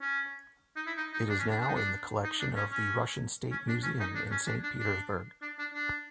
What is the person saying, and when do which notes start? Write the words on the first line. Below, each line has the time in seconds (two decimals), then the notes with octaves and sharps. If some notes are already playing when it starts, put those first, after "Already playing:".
It is now in the collection of the Russian State Museum in St Petersburg.
0.01 C#4
0.76 D#4
0.87 E4
0.97 D#4
1.14 D#4
1.29 D4
1.39 C#4
1.50 D4
1.60 D4
1.68 D#4
1.75 D4
2.24 D#4
2.40 D4
2.56 C#4
2.71 C#4
3.52 C#4
3.68 D4
3.83 C#4
4.00 D#4
4.15 D4
4.31 C#4
4.47 D4
4.63 D4
4.79 D4
5.42 D4
5.59 D4
5.74 D4